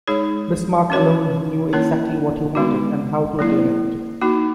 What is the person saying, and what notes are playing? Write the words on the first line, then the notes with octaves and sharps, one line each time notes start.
Bismarck alone knew exactly what he wanted, and how to attain it.
G#3 D#4 G#4 C#5
C#4 F#4 A#4 C#5
A#3 C#4 E4 A#4 C#5
D#3 G#3 B3 D#4 F#4
F#3 A#3 E4
A#3 D#4 F#4